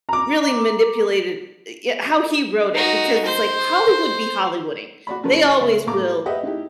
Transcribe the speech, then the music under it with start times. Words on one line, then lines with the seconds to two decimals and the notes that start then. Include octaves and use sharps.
really manipulated i yeah, how he wrote it, because it's like Hollywood be Hollywooding, they always will
0.09 A#5 D6
2.75 D#4 F#4
3.26 C5
5.07 F#4 D5 B5
5.23 C#3 F3 C#4 A#4 B4 C#5
5.61 C#2 E5
5.87 A2 A#3 A#5 D6
6.26 G4 B4 D#5 E5 F#5
6.43 D#4 E4 G4